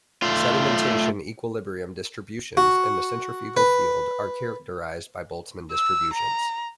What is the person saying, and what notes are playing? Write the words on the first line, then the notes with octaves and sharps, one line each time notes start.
Sedimentation equilibrium distributions in the centrifugal field are characterized by Boltzmann distributions.
A3 F4
F#4
B4
E6
A#5